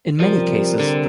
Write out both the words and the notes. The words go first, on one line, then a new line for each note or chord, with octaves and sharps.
In many cases, the songwriters were also the performers.
C3 F3 G3 C4 A#4
D3